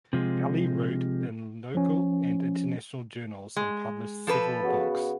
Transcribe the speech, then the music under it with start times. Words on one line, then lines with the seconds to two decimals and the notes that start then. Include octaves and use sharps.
Ali wrote in local and international journals and published several books.
0.13 C3 F3 G#3
1.75 F3 C#4
3.56 G#3
4.27 F3 A4 B4
4.63 C#3 B3 F#4